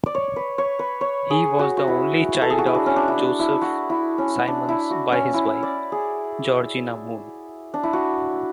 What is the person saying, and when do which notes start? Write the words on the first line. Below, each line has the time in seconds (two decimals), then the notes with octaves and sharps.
He was the only child of Joseph Symons by his wife, Georgina Moon.
0.06 D5
0.15 C#5
0.36 B4
0.58 C#5
0.79 B4
1.01 C#5
1.30 G#4
1.59 F#4
1.77 F#4
1.88 E4
2.42 A4
2.50 G#4
2.58 F#4
2.66 E4
2.74 D4
2.86 C#4
2.96 D4
3.08 E4
3.18 D4
3.39 E4
3.62 F#4
3.90 E4
4.18 C#4
4.48 D4
4.69 E4
4.90 F#4
5.12 C#4
5.34 E4
5.63 D5
5.92 G#4
7.74 D4
7.83 E4
7.93 F#4